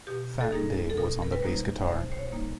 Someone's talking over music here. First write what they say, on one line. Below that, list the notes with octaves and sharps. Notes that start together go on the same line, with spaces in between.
'Fat' Dave was on the bass guitar.
B2 G4
A4
G3 A#3 D#4 G#4
A4
B2 A#4
A#4
B4
G3 A#3 D#4 C5
B2 C5
C5
C#5
G3 A#3 D#4